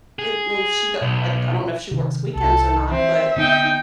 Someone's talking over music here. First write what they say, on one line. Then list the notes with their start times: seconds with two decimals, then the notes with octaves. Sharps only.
if if she da I I don't know if she works weekends or not, but
0.19 G#4
1.02 B1
1.91 C3 D#3
2.35 C2 A4
2.91 E3 C4 E5
3.36 D3 B3 C4 D#4 G5